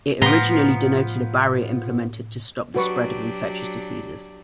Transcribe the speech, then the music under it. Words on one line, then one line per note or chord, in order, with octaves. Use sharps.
It originally denoted a barrier implemented to stop the spread of infectious diseases.
A2 F3 B3 A#5 C6
F#3 D4 F#4 G4 B4 C#6